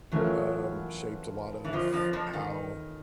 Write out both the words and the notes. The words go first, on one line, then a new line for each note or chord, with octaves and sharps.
um, shaped a lot of how
F#2 E3 F#3 A3 C#4 F4 A#4
E3
F2 F3
F2 F3
F2 F3
D#3